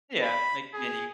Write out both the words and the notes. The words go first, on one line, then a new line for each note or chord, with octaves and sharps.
Yeah, make many
B5
G#4